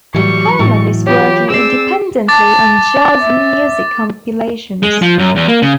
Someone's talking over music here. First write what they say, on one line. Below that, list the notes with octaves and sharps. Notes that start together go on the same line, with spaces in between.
Kerman is working independently on jazz music compilations.
A2 E3 F#3 G3 C#6
A2
F4 G4 C#5
C4 G#4 D5 E6 C7
A5 D6 A6
E5
G#3
F3
F#2
E2
A#3
C#3